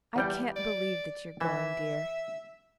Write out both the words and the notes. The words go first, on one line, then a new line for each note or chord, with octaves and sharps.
I can't believe that you are going, dear!
E2 G3 G5
D5
E3 E5